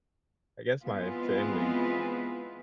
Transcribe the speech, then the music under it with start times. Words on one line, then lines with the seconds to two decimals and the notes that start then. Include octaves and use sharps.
a I guess my family
0.83 E3 G#3 B3 C4 F4 B4